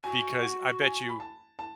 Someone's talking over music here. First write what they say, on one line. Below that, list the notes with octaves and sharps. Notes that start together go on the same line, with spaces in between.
Because, I bet you,
F#4 G#5
F#5
G#5
B5
A5
A5